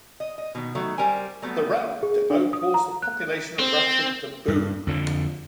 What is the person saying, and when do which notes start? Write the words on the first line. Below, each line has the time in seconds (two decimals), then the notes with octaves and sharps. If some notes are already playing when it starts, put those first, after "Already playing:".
The Railroad Depot caused the population of Radford to boom.
0.20 D#5
0.38 D#5
0.55 B2 D#3
0.75 D#3 F#3 A3
0.98 G3 C#4 A#4 C5 G5 G#5
1.42 F#3 G3 A3 B3
2.03 G#4
2.30 D4
2.53 D#6
2.74 A#5
3.02 F#6
3.59 C4
4.48 G2
4.87 F2 D3 F3